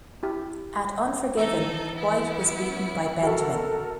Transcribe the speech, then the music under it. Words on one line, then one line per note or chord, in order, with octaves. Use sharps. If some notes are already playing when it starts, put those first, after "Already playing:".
At Unforgiven, White was beaten by Benjamin.
E4 G4
E3 D#4 A4 E6
B3 E4
C#4
F#4 A4 A#4